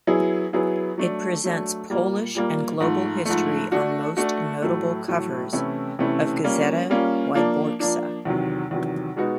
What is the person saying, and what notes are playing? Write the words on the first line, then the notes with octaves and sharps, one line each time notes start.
It presents Polish and global history on most notable covers of "Gazeta Wyborcza".
F#3 B3 E4 G#4
F#3 B3 E4 G#4
F#3 A3 D4
F#3 A3 D4
A#2 G3 A#3
A#2 G3 A#3
G#2 F3 A3
G#2 F3 A3
A3 D4 F#4
A3 D4 F#4
A2 F#3 A3
A2 F#3 A3
C3 E3 A3 C#4 E4
C3 E3 A3 C#4 E4
G3 A#3 C#4 F4
G3 A#3 C#4 F4
F3 A#3 D4
F3 A#3 D4
E2 C3 D#3 F#3
E2 C3 D#3 F#3
B2 G#3 B3 D#4 F#4